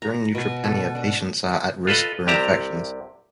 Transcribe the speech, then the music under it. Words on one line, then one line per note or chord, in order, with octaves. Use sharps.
During neutropenia, patients are at risk for infections.
A#5
B2
A4
D4
F4 A4 B4 D#5
C2 C3 G4 A5 A#5